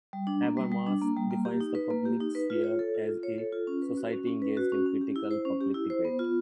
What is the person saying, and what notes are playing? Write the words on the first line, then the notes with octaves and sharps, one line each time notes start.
Habermas defines the public sphere as a "society engaged in critical public debate".
G3
D4
A#3
G3
G3
D4
A#3
G3
A#3
G4
D#4
B4
A#3
G4
D#4
B4
F4
C#5
A4
F4
F4
C#5
A4
F4
C#4
B4
F#4
C#4
C#4
B4
F#4
C#4
C#4
G4
E4
C5
C#4
G4
E4
C5
B3
F4